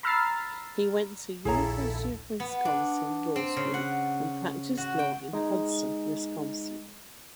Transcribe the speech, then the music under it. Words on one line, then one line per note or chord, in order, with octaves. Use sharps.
He went to University of Wisconsin Law School and practiced law in Hudson, Wisconsin.
A#5 B5 E6 F6 A6 C7
A#1 D#2 A#2 E4 G#4 A4 C#5 A#5
B3
D4
C4
C#3
F#5
F#4
G5
G#3 D#4